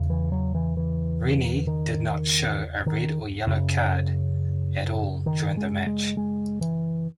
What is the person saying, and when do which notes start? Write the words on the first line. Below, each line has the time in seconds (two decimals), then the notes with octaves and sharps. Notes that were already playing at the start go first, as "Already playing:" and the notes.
Rennie did not show a red or yellow card at all during the match.
Already playing: E2 C#3
0.10 E3
0.32 F#3
0.55 E3
0.77 E3
1.67 D#3
2.86 D#3
3.47 F#2 C#3
5.26 D#3
5.57 G#3
5.87 G#3
6.17 G#3
6.61 E3